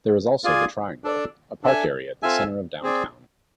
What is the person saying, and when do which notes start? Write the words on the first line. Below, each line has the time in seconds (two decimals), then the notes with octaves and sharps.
There is also "The Triangle" a park area at the center of downtown.
0.44 F4 G#4 D5 G#5
1.04 D4 A4 D5
1.63 D4 A4 E5 G#5
2.23 C4 F4 A4 E5 G#5
2.83 C4 G#4 D5